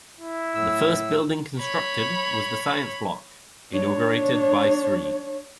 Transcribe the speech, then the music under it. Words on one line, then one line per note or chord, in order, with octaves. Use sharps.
The first building constructed was the science block, inaugurated by Sri.
E4
A2 E6
C#5 B5
D4 C#5